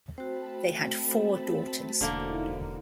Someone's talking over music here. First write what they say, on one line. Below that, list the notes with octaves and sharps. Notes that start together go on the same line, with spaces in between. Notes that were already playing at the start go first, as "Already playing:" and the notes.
They had four daughters.
A3 C4 F#4 C5 A5 B5
E1 D3 A#3 D#4 E4